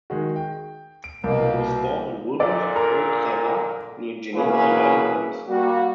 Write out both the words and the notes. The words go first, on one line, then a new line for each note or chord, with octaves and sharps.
He was born in Vulbens, Haute-Savoie, near Geneva, and died in Paris.
D#3 G#3 F#4
G5
D7
C2 B2 A#3
A#2 D3 D5
A#4
B2 E3 A#3 C#4 G#4 B4
G3 A#3 F#4